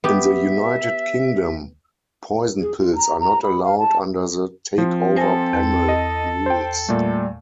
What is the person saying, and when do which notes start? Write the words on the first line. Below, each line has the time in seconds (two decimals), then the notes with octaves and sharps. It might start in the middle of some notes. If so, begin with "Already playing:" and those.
In the United Kingdom, poison pills are not allowed under the Takeover Panel rules.
0.04 B3 G4 E5
2.61 G#4
2.79 F4
2.96 A#5
3.20 A#5
3.43 B5
3.63 F5
3.79 A5
4.78 F3 C4
5.16 A4 C5 G#5 A#6
5.53 E2
5.89 D#5
6.46 C5 G5
6.89 A#2 G3 A3